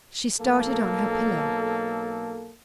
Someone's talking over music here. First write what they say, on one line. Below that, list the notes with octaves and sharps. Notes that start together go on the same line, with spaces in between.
She started on her pillow.
B1 A#3 A4